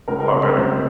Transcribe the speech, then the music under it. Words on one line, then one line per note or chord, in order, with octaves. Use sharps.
a lot better.
C#2 A#4
A#4
C3
A#4
C#2 C5